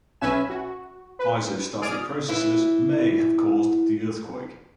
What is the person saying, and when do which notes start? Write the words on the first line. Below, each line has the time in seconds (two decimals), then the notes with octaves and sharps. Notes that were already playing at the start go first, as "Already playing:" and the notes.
Isostatic processes may have caused the earthquake.
0.21 B1 C#4 B4 E5 G#5 E7
0.50 F#4
1.19 B4
1.81 G#4 D5 D#6 F6 D7
2.28 E3 E4